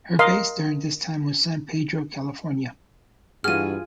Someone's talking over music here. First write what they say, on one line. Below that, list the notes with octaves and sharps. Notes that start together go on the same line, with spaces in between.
Her base during this time was San Pedro, California.
A#4 D#5 F5 C6
G2 E3 F4 F#4 G#4 F6 D#7